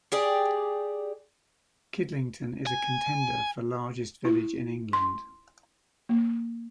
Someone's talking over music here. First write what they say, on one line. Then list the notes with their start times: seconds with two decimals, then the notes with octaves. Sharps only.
Kidlington is a contender for largest village in England.
0.12 G4 G#4 D5
2.67 G#5
4.25 E4
4.93 C6
6.09 A#3